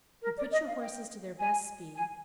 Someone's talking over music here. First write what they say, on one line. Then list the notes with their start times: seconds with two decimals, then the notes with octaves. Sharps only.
"You put your horses to their best speed."
0.22 A#4
0.37 D5
0.51 D#5
0.66 F5
0.81 G5
1.39 G#5
1.96 G#5